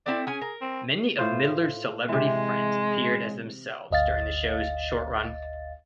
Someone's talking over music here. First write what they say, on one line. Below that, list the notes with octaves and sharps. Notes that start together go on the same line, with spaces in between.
Many of Midler's celebrity friends appeared as themselves during the show's short run.
A3 C4 E4 D5
C#4 G#4 G#5
A#4
C4
A2 F4 C5
C3 E3 G#3
G1 D2 D#5 F5 A6